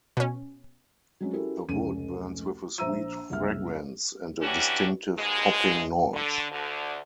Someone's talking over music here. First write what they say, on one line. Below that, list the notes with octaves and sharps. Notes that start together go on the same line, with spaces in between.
The wood burns with a sweet fragrance and a distinctive popping noise.
B2 C#4
F#3 G#3 C4 C#4
C#4 E4 F#4 G4 A4 A#4
F1 C#2 C#4 D#7
A#1 C5 E5 A#5 E6 D#7
F#1 C2 E5 F6
E3 F#3 C#4 D4 F#4 G4
D#2 G#2 B2 G#3
D3
D2 D3